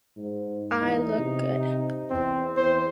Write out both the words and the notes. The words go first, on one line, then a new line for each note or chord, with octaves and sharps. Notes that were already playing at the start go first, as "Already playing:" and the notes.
I look good.
G#2
E2 D#4
C3
E2 C4
E2 C5